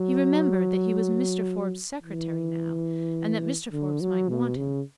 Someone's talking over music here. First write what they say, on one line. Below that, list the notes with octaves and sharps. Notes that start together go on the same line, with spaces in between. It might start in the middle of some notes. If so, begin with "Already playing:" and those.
He remembered that he was Mr. Forbes's secretary now, and that Mr. Forbes might want him.
Already playing: F#3
E3
D3
F#3
B2
C#3